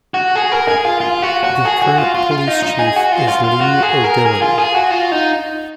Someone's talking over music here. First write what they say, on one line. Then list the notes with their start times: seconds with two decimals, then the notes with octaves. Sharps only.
The current police chief is Lee O'Dillon.
0.14 F#4
0.35 G#4
0.52 A#4
0.68 G#4
0.85 F4
1.01 F4
1.22 F#4
1.44 F#4
1.65 G#4
1.82 F#4
1.98 F4
2.15 F4
2.31 F4
2.47 D#4
2.62 D#4
2.79 G#4
2.96 F#4
3.12 F4
3.28 F4
3.44 F4
3.61 F#4
3.83 G#4
4.04 A#4
4.26 G#4
4.42 F4
4.58 G#4
4.74 F#4
4.91 F4
5.12 D#4